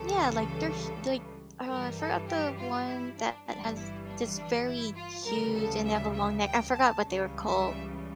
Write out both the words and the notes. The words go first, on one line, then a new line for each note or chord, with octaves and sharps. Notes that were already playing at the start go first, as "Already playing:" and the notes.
Yeah, like there's, like, uh, I forgot the one that has this very huge and they have a long neck, I forgot what they were called.
Already playing: C#2 C#3 E3 G3 A4
G2 E3 G3 A#4
A4
G4
F4
E4
D4
G1 G2 E3 G3 D4
E4
D4
D4
E4
F4
D2 C#3 E3 G3 A#4
A4
E5
E5
G5
A5
C#2 C#3 E3 G3
E5